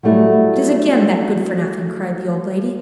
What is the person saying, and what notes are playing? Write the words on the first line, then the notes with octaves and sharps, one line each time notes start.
"It is again that good-for-nothing!" cried the old lady.
F#3 G3 A3 E4